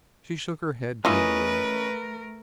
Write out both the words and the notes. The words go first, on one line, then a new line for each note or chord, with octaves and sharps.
She shook her head dreamily.
E3 A3 C#4 F4 A#4 B4 D#5